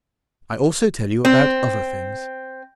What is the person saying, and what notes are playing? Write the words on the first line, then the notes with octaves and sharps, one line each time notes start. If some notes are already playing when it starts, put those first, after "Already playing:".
I also tell you about other things.
C4